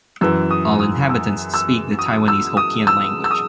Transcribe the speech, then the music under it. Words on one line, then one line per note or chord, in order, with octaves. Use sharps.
All inhabitants speak the Taiwanese Hokkien language.
F#2 E3 E6
D#6
D#6
E6
E6
D#6
E6
D#6
E6
E6
D#6